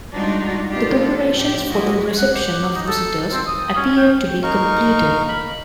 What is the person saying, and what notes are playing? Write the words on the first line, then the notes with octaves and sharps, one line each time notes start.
The preparations for the reception of visitors appeared to be completed.
G3 G#3 D4 D#4 F4 F#4
A3 B3 D#4 F4 G4 D5
A4
A2 F3 G4
F3 E4 F#4 D#5
F#5
G4
D#4
A4
C4
D#6
C#4
G5
D#4 A#4 F5 C#6
B5